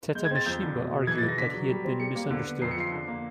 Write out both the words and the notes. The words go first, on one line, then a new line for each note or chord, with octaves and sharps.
Tetamashimba argued that he had been misunderstood.
G#3 G6
G#6
C4 A6
F2 G6
D3
B2
B2
E3 G#6
E3 A6
A#6
D3 B6
F#3
G3
C4
G3 C#7
A#3
D3
B3
F2 C7
C#7
F3 C7
D3
A#3